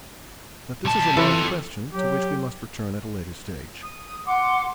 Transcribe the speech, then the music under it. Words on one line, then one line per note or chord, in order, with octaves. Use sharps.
But this is a large question, to which we must return at a later stage.
B1 A5
E3 F4 A4
F#3 G4
D#6
F#5 C6 D6